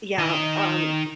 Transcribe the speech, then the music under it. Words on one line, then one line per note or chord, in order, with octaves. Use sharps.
yeah, um,
D#3 D#5